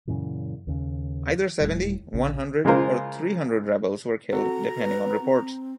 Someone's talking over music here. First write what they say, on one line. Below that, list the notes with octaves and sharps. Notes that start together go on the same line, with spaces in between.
Either seventy, one hundred, or three hundred rebels were killed, depending on reports.
F#2 A#2 C#3 E3
D#2 C#3
D#1 D#2 A2 G3
A#1 A#2 C#3
C#3 G#3 A#3 F4 A#4 C5
C4 F#4 A4 A#5
B4
C4